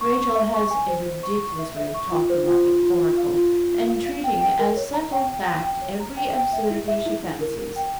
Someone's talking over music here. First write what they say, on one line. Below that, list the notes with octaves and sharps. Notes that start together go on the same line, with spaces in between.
Rachel has a ridiculous way of talking like an oracle, and treating as settled fact every absurdity she fancies.
C#6
C#6
E5
C#6
G#5
C5
C5
C#6
C#6
E5
E5
C#6
F4
C5
F4
F4
F4
F4
F5
F4
F4
F4
F5
F5
G5
G5
A#4
C#5
A#5
G5
G5
G5
G5
C#5
A#5
G5
G5
E5
E4
E5
E4
E4
A#4
A#4
G5